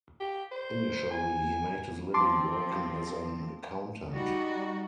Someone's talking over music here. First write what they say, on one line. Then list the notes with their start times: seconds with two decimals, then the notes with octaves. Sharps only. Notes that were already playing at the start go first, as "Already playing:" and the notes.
Initially he made his living working as an accountant.
0.20 G4
0.52 C5
1.11 G#5
2.14 F3 C4 A5 C6 D6
4.11 G3 D#4 F#4